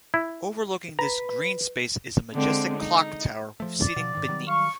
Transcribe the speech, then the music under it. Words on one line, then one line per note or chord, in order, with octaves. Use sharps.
Overlooking this green space is a majestic clock tower with seating beneath.
E4
B4 A#5
D3 G#3 C4
D#4
F3 A3
D5
B2 F3
G#2 D#3
D#3 F#3 G3
F5 C#6